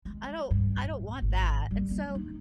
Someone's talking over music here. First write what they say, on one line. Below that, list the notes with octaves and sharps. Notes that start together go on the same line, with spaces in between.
I don't I don't want that," and so
G#3
G2
D1
G#1
G3
A#3
D#4